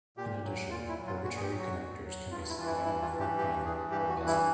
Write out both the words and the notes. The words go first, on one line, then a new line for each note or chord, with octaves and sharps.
In addition, arbitrary connectors can be supplied on the front panel, or "bezel".
A#2 G4
F#3
A#2 F4
E4
F#3
F4
A#2 F#4
G#4
G4
F#3
F#4
A#2
F#3
G2 F4
E4
E3 F4
E4
G2 E4
F4
E3
G4
G2 G4
E3 G#4
G2 G4
F#4
E3
E4